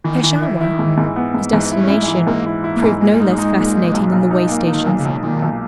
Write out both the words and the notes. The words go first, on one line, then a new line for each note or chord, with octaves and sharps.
Peshawar, his destination, proved no less fascinating than the way stations.
D#3 E3
E3
E4
E4
G#2
G#2
B3
G#2
G#2 E3
E4
C#4
E4
G#3
E3
G#2 A#3
E4
E4
A#3
G#2
A#2 G#3
D#4
D#4
A#2
D#4
B1
B1
D#4
A#3
D#4
D#3
B1
C#3
B1
A#2 D#3
B1